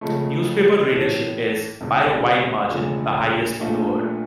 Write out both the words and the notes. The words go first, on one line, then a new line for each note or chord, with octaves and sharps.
Newspaper readership is, by a wide margin, the highest in the world.
C#2 C#3 F3 A3
A2 E3 A3 C#4
E1 E2 C#3
E1 D2 C#3 F3
A#1 A#2 A3 D4 F4